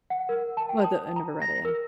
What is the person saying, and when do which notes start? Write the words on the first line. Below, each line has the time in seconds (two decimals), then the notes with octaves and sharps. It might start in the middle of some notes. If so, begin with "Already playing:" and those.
We the, I never read it, yeah.
0.10 F#5
0.29 A#4
0.57 A5
0.69 G5
0.84 D#6
1.16 A#5
1.42 A#6
1.65 A#4